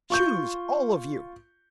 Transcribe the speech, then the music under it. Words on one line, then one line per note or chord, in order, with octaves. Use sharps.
"Choose, all of you!"
F4 C#6 G6